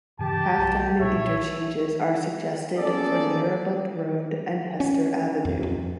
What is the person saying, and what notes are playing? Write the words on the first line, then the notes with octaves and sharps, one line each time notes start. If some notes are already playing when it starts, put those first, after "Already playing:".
Half-diamond interchanges are suggested for Neerabup Road and Hester Avenue.
G2 C#3 E3 G4 A5
B1
C2 A#2 C#5 E5
A#3 B3 C#4 G#4 A4 D5
C#4
F2
F2